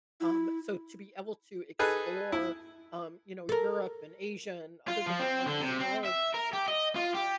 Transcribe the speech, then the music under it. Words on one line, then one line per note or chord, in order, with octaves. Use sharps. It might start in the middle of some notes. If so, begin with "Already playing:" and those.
um, so to be able to explore, um, you know, Europe and Asia and other different parts of the world,
E4
D#4 G#4 A4 B4
E4
A4 A#4
F4
F3
C4
D3
C3
C4
E5
A#4
G4
D#5
F4
G4